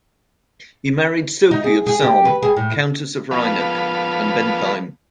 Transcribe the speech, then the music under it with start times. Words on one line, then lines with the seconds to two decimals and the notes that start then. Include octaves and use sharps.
He married Sofie of Salm, Countess of Rheineck and Bentheim.
1.51 D#4
1.64 G#4
1.87 G#4
2.02 G4
2.25 B4
2.42 G#4
2.57 A2
3.31 F3 B3 A4 B4 F5